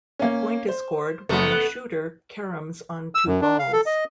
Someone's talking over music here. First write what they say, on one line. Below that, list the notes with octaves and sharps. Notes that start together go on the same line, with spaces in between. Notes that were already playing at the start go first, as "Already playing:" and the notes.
A point is scored when the shooter caroms on two balls.
A#3 C#4
C5
F#1 A3 B3
F#6
E6
F#2
D4
F5
A4
D#5